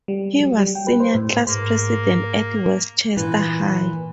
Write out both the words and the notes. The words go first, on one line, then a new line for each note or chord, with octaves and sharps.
He was senior class president at Westchester High.
G3
F#3
G3
G5
B4
C5
A2
G#2 A#3
A#2 E3